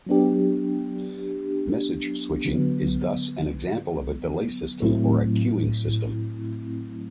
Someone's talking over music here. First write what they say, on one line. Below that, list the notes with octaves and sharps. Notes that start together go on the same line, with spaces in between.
Message switching is thus an example of a delay system or a queuing system.
F#3 B3 D4 G4
D3 F#3 B3
A2 F#3 A3 C4 E4